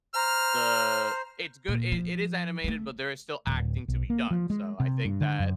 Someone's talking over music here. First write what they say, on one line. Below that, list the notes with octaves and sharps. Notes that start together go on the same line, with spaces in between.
The it's good it it is animated, but there is still acting to be done, so I think that
C5 A#5 F6
A#2
F3
G#3 A3
D1
B1
A#3
F3
G#3
C3
G2
D3
F#2